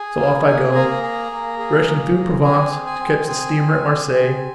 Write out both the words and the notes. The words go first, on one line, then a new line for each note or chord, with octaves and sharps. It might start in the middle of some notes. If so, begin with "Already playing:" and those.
So off I go, rushing through Provence, to catch the steamer at Marseilles.
Already playing: G#4 G#5
A#3
G#4
A#3 A#5
G#4
A#3
G#4
A#3
G#4
C4 G#5
G#4
G#5
C4
G#4 G#5
C4
G#4
C4